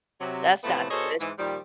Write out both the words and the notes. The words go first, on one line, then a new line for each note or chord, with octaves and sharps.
That's not good.
C3 F#3
A2 C3 E3 F3 A3 B3
B2 G#4 A4 C5 C#5 D#5
G#2 E3
A#2 D#3 F3 G3